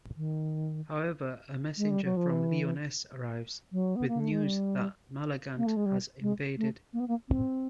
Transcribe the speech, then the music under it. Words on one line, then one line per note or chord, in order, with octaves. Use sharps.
However, a messenger from Lyonesse arrives, with news that Malagant has invaded.
D#3
G#3
G3
F#3
F3
E3
F#3
B3
A#3
A3
G#3
G3
A#3
A3
G#3
G3
G#3
A3
A#3
B3
A#3
C4